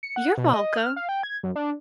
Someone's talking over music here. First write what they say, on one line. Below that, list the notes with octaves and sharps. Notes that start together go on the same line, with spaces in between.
You're welcome.
C#7
F#5
B2
D#5
F6
F5
G5
G#6
F#2
D4